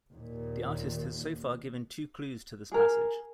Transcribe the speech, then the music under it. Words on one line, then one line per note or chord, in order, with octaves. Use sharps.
The artist has so far given two clues to this passage.
D#2 A#2
G#4 A#4